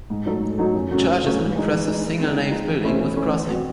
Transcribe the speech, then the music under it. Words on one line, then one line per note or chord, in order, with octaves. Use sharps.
The Church is an impressive single nave building with crossing.
G#2
F#3 A3 D#4 A4
G#2
F#3 A3 D#4 A4
F#2
C#3 F#3 A3 C#4
F#2
C#3 F#3 A3 C#4
E3
G#3 D#4
E3
G#3 D#4
G#3
C4 D#4
G#3
C4 D#4
E3
A3 C#4 E4 C5
E3
A3 C#4 E4 C5
E3
C4 F#4